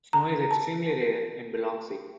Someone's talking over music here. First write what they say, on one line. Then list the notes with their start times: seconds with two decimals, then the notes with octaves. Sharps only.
Snow is extremely rare in Biloxi.
0.13 A#5
0.51 A5